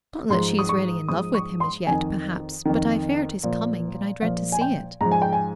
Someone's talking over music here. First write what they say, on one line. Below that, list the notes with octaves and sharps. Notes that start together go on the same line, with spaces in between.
Not that she is really in love with him as yet perhaps, but I fear it is coming and I dread to see it.
G#2 F3 C6
D#6
C#6
G#2 F3 D#6
C#6
C6
F2 D#3 G#5
F2 D#3
A#2 F3
A#2 F3 F5
G#5
G5
G#2 F3 A#5
G#5
G5
G#5